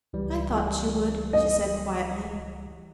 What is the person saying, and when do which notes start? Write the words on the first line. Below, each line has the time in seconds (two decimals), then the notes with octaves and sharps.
"I thought you would," she said quietly.
0.13 C#2 E3 G3
1.33 D#5